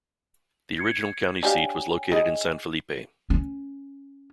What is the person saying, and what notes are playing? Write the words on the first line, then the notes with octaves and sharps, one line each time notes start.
The original county seat was located in San Felipe.
G#6 C7 C#7
D4 G4 C#5 F5 G5 G#5
D#4 G#4
C#4